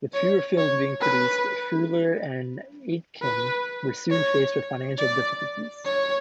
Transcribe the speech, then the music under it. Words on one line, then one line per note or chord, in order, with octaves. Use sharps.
With fewer films being produced, Freuler and Aitken were soon faced with financial difficulties.
C#5
C#5
B4
B4
C#5
D5
C#5